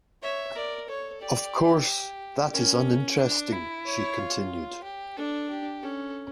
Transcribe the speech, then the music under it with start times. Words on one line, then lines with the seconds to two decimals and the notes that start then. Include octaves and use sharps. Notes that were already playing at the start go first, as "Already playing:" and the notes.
Of course, that is uninteresting, she continued.
0.23 C#5 E5
0.56 A#4 D5
0.88 A4 C#5
1.21 G4 D5
2.53 C#4 A#4
3.19 D4
3.52 E4
3.85 C#5
4.18 F4
4.84 G4
5.17 D4 A4
5.50 G4
5.83 C#4 A4